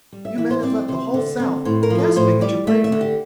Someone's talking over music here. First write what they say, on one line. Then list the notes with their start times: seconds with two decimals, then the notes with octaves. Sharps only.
You men have left the whole South gasping at your bravery.
0.13 G3
0.25 E5
0.38 E3 E5
0.50 C5
0.63 C4 D5
0.76 D5
0.88 C3 C5
1.14 D3
1.40 C4
1.65 A2 C5
1.83 A#4
1.90 F3
1.99 A4
2.16 A2 C5
2.41 G3 D5
2.67 A3 E5
2.84 E5
2.92 D3
3.01 G4